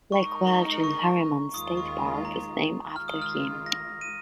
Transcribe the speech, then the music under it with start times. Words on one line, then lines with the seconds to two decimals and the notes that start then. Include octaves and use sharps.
Lake Welch in Harriman State Park is named after him.
0.12 G#3 D#4 A#4 C#6
0.47 A#5
0.84 C#6
1.54 D#2 D#3 G#3 F4 D#6
1.77 C#6
2.25 A#5
2.95 D#3 G#3 F4 F6
3.08 D#6
3.22 F6
3.66 A#6
4.01 D#7